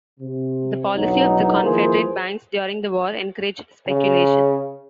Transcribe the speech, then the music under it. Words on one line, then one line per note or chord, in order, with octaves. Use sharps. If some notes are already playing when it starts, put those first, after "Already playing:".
The policy of the Confederate banks during the war encouraged speculation.
C3
B1 E2 D3 F#3 D#4
D#2 E3 F3 A#3 G#4 C5
C#3